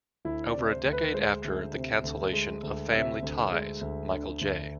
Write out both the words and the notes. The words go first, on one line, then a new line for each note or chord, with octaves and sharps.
Over a decade after the cancellation of "Family Ties", Michael J.
D2 E4
D5
C3
C5
D2
B4
G#3 C5
D2
C3
D2
G#3
D2
C3 E5
D2
G#3
D2
D3
D2